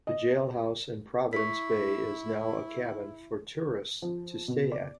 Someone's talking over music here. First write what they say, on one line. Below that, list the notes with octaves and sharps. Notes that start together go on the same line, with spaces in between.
The jailhouse in Providence Bay is now a cabin for tourists to stay at.
D#5
E4 C#6 B6
F3
B2
D5